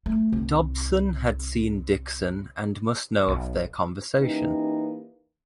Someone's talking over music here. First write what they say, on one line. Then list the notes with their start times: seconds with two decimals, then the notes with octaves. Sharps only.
Dobson had seen Dixon and must know of their conversation.
0.06 A3
0.32 C2
3.28 B1
4.18 E3 A#3 C#4 D#4 G4 B4